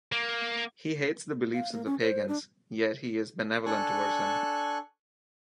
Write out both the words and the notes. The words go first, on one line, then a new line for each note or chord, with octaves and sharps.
He hates the beliefs of the pagans, yet he is benevolent towards them.
A#3
F5
A#3
C#4
C5
D4
D4 A4 G#5 C#6 F#6